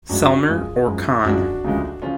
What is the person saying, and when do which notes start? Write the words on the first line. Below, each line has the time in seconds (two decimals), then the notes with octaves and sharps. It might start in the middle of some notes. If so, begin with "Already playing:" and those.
Selmer or Conn.
0.09 F#2 F3 G#3 D4 F#4
0.47 F#2 F3 G#3 F4 G#4
0.86 F#2 F3 G#3
1.25 F#2 F3 G#3 D4 F#4
1.64 D2 C#3 F3 G#3
2.02 C#3 F3 C#4 F4